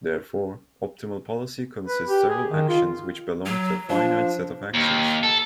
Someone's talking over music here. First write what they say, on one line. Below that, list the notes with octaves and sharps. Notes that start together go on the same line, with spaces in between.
Therefore, optimal policy consist several actions which belong to a finite set of actions.
B4
G4
G#4
D#3
F4
F#3
F3 D4
D#2
A4